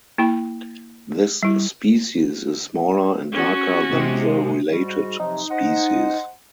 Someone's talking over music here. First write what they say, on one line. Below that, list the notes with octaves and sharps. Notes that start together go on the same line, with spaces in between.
This species is smaller and darker than the related species.
A#3 E4 G5 B5
G3 E4
C#4 F#4
C3 G#3
G#2 G3 F#4
C3 F3 F#3 D#4
C5 D#5 F#5